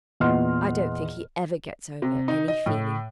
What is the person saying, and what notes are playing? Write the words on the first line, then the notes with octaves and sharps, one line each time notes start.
I don't think he ever gets over any feeling.
E2 A#2 B3 D#5 C6 F6
C3
D#4
D#5
A2